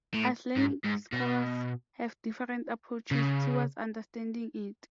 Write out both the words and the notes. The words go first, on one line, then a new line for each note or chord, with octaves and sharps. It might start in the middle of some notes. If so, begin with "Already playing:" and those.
Islamic scholars have different approaches toward understanding it.
A2
G#2
G#2
B2
C#3